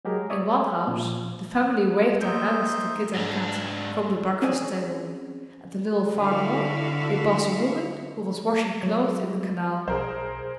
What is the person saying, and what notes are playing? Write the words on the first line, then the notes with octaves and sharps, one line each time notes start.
In one house the family waved their hands to Kit and Kat from the breakfast table, and a little farther on they passed a woman who was washing clothes in the canal.
F#3 G#3 G4 G#4 A#4
C#5 D5 E5 D#6
A#2 F3
A#3 D#4 C5 E5 G6
G#2 D4
C4 C#4 G#4 C5 D5 G#5
D3 E4 F#4 E5 F5
F#3
B1 G#4 A#4 C5